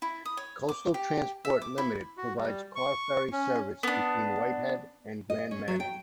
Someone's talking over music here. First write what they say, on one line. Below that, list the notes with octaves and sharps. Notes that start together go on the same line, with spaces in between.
Coastal Transport Limited provides car ferry service between White Head and Grand Manan.
E4
D#6
C#5
D6
G4
E5
D6
E4
F#4
G3
C#6
C#4
B3 D4
D#5
C#4
F#3
G5